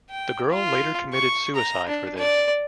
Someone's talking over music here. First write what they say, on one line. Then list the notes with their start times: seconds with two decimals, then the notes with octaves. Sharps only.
The girl later committed suicide for this.
0.10 G5
0.50 F4
1.13 C#6
1.55 A#5
1.88 D4
2.17 D5